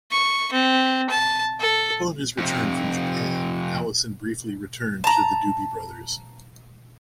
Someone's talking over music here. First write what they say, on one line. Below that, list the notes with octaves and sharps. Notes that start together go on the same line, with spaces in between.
Upon his return from Japan, Allison briefly returned to the Doobie Brothers.
C#6
C4
A5
A4
F2 C3
A5 A#5